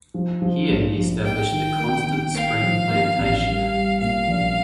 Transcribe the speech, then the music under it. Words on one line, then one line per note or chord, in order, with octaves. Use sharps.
Here he established the Constant Spring plantation.
F3
F3
A#1
F3
A#3 G5
D#3
A#3
D#3
A#3 F5
F3
A#3
A1
G3
G3
A#2 F5
A#1